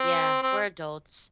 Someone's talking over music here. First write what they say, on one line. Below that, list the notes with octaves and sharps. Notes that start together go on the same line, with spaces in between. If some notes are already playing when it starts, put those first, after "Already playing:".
Yeah, we're adults.
Already playing: C4
C4